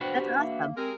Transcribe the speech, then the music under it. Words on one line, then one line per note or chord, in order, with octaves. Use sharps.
That's awesome,
D4 F#4 B4 C5 G5
G4
A#3 E5
G#3 C4 G4 G#4 A#4